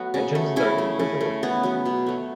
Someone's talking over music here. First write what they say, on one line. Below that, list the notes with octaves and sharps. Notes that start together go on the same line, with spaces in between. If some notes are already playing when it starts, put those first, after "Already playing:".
Entrances are individual.
Already playing: F#3 A3 B3 F#4
C#3
A3
C#3 E4
A3
C#3
A3
C#3 B3
F#3 B3
B2
F#3 A3